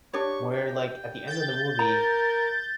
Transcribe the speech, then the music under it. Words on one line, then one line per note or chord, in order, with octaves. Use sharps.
Where, like, at the end of the movie
D4 G4 C#5 C#6
G5
G6 A6
A#4 A#5